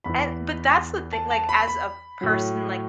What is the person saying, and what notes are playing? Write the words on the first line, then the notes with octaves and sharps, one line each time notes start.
And, but that's the thing, like, as a person, like,
E2 E3 B5
A5
A5
B5
B5
A2 F#3